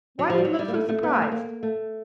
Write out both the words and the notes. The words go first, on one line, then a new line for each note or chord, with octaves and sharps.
Why do you look so surprised?
F#3
F3
G3
F#3
G3
A#3
A3
A3
B3
A#3
A3
A#3
A3